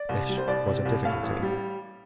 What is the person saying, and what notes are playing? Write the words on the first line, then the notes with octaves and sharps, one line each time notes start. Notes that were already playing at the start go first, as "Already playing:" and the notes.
This was a difficulty.
Already playing: D5
C2
G3
C5
C2 D5
C3
C2
A2 F5
A1
G3